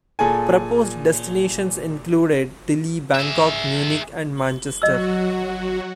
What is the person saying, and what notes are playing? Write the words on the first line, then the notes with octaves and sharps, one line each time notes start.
Proposed destinations included Delhi, Bangkok, Munich and Manchester.
A#2 G#4 A4 G#5
G#4 E5
F#3 F#4 D#5 E6